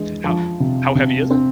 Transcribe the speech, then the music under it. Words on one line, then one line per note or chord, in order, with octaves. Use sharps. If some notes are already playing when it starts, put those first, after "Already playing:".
How how heavy is it?
Already playing: E3 G#3
F3
C3
C3
C4